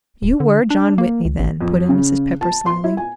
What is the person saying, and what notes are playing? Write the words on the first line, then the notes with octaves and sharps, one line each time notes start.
"You were John Whitney then," put in Mrs. Pepper, slyly.
D1
D3
D4
A#3
C#2
A1
F2
C#3
A5
C6
E4
G#5